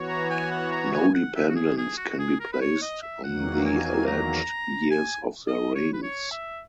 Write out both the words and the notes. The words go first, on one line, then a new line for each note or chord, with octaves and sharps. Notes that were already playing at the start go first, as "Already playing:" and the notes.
No dependence can be placed on the alleged years of their reigns.
Already playing: E3 B3 F#4 C#5
A#5
G#5
F#5
A#5
G#5
F#5
E5
F#4
G#4
G#4
F#4
F#4
G#4
A#4
B4
C#5
D#5
E5
E2 D#3 F#3 A#3 F#5
G#5
A#5
G#5
D#5
C#5
B4
C#5
E5